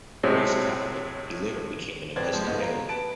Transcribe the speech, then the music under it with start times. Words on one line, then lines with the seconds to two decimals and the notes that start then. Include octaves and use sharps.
Raised Catholic, he later became an Episcopalian.
0.23 A2 C3 F#3 G#3 C4
2.16 D1 F2 B4 C5 D5 G#6
2.33 F3 G#3
2.46 F1 G#2 A3 B3 D#5
2.58 F5 A#5
2.89 B4 A5 D7